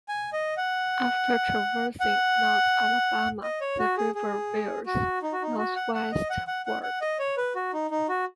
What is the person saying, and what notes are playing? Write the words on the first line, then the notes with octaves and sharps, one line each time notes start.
After traversing North Alabama, the river veers northwestward.
G#5
D#5
F#5
F#5
D#5
C#5
F#4
G#4
G#4
F#4
D#4
F#4
D#4
F#4
F#5
F#5
D#5
F#5
F#5
F#5
F#5
D#5
C#5
B4
F#4
D#4
D#4
F#4